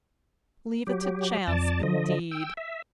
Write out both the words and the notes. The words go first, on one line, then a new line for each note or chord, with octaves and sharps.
Leave it to chance indeed!
F#3 G4
F2 D5 A5
D3 F3 D#5
G5 E6
E5